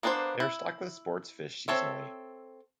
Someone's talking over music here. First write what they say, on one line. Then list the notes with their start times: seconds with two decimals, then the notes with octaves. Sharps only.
They are stocked with sports fish seasonally.
0.03 A#3 B3 D4 G#4 C5
0.40 E4
1.68 C4 A4 C#5 E5